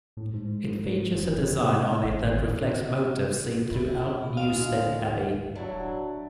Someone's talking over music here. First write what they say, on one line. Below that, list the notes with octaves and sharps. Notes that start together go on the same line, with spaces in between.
It features a design on it that reflects motifs seen throughout Newstead Abbey.
A2
G#2
F1
C3
G#1
E2
E4
D2 G#3 F5
F#3 A3 D4 E4